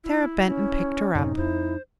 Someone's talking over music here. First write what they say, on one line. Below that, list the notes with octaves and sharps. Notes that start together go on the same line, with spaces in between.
Sara bent and picked her up.
E4
C#4
F#2 A2 C3 C#4 D#4
F2 E4 C5